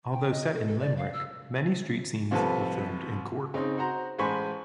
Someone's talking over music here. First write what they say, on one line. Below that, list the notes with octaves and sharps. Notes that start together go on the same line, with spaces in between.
Although set in Limerick, many street scenes were filmed in Cork.
G5
D#5
A4
A4
D5
F5
E6
C2 C3 F3 A4 B4
C#3 C4 D#4
F#4 C5 A#5
A1 G#3 C5 G#5 B5 C#6